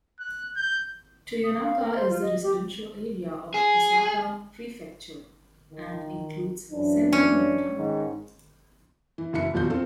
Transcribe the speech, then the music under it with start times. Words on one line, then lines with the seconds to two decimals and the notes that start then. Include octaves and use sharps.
Toyonaka is a residential area of Osaka Prefecture, and includes Senri New Town.
0.20 F#6
0.56 G6
1.44 D#6
1.63 F5
1.80 A#4
1.95 C5
2.10 F4
2.22 D#5
2.43 G4
3.54 G#4
5.72 D#3
6.72 F#2 E3 D4
7.13 C#4
7.77 G#2 D#3
9.18 E3
9.33 F#1 E3 E4 C#7
9.53 D#1 E2 F3 F4 F#4 G6
9.70 C4 F4 A4